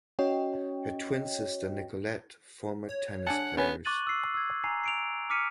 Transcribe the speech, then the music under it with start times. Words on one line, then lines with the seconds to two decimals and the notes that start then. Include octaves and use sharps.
Her twin sister Nicolette former tennis players.
0.19 C#4 F#4 C#5 D#5 G5
2.89 C#5
3.27 D4 F#5 G#5 A5
3.57 B3 C#4 B4 G#5
3.85 C#6 D6 F#6 A6 D#7 F#7
4.07 E6 C7
4.34 E6 G#6
4.64 G#5 A#5 C7
4.84 C7 D7 F7
5.30 D6 F6 B6 C#7 D#7